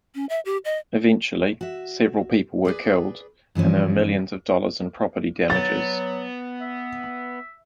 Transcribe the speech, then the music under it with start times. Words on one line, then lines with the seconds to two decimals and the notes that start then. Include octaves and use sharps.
Eventually, several people were killed and there were millions of dollars in property damages.
0.15 C#4
0.29 E5
0.45 G4
0.65 D#5
1.61 F#4 E5
2.65 G#4 B4 D5
3.55 G2 E3 F3 C#4
5.50 F#3 B3 A6
6.61 E5